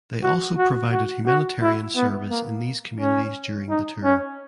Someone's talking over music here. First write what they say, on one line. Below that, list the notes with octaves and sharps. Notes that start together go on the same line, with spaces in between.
They also provided humanitarian service in these communities during the tour.
F#4
F#4
F#4
F#4
E4
B3
A#3
C#4
D#4
C#4